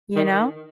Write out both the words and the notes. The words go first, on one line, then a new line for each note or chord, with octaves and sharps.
Ya know?
D#3